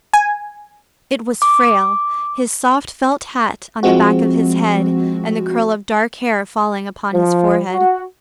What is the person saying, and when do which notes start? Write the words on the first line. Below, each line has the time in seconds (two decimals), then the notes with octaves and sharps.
It was Frale, his soft felt hat on the back of his head and the curl of dark hair falling upon his forehead.
0.13 G#5
1.42 D6
3.83 F3 G#3 C4 F#4
7.14 F3
7.71 F#4